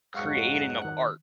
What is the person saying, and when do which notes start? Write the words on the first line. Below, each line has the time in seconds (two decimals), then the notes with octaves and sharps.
creating of art
0.15 F2 G#2 F#3 G#3 F5 F#5 C#6 C#7
0.82 D#3 F#6